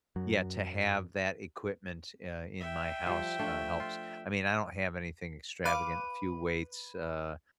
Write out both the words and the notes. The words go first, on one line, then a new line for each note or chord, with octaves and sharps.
yeah, to have that equipment, uh, in my house, uh, helps. I mean, I don't have anything extravagant, a few weights, uh,
F#2 F#3
E5 G5
F3 G3
F3 A3 D4
F4
B4 F5 D6